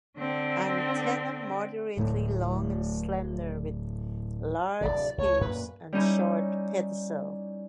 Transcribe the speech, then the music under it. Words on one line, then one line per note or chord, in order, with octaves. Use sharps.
Antenna moderately long and slender with large scape and short pedicel.
D3 C4
D1 A2 A3
D1 G1 C3 D5
C#2 A3 C#5
F#2 A#2 A#3 B4
G3 C#4 D#4 E4